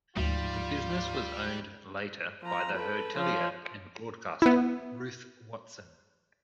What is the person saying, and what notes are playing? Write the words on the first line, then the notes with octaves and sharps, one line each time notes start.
The business was owned later by the hotelier and broadcaster Ruth Watson.
D2 G#2 F3 G3 F4
F3 A#5
A4 B4
F3 C#5
B3 E4